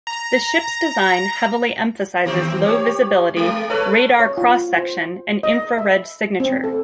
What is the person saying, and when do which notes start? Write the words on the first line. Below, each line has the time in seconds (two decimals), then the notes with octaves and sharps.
The ship's design heavily emphasizes low visibility, radar cross-section and infrared signature.
0.07 A#5
2.26 D#2 C4 G4
2.65 G4 C#5
3.36 G#3 A3
3.70 A4 B4 C#5
4.20 C#5
4.38 F4
4.78 C5
5.43 D#5
5.78 E5
6.40 C4
6.64 A4